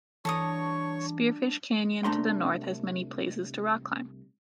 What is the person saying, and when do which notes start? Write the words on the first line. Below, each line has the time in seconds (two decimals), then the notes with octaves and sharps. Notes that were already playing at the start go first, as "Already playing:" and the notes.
Spearfish Canyon to the north has many places to rock climb.
0.25 G2 E3 D4 A4 C#5 A#5 C#6 D#6
2.04 C2 A3 D4 A#5 C6